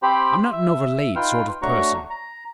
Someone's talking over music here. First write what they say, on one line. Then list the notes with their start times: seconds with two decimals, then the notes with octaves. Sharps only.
I'm not an overlaid sort of person.
0.03 C4 G4 C5 B5
0.53 E5
1.16 D#4 F4 B4 G5 C6 F6
1.62 A3 D4 F#4 C#5 A#5 C#6
2.10 A#5